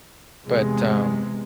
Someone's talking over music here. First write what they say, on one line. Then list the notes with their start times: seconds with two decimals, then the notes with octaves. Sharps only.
but, um
0.46 E2 C3 G#3